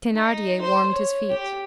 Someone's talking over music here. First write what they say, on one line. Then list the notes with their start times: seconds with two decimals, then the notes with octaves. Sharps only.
Thenardier warmed his feet.
0.14 D#4
0.61 C5
0.92 C#5
1.31 G4